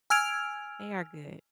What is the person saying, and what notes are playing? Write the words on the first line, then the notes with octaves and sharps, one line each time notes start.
They are good.
G#5 E6 F6 G#6 D7 F7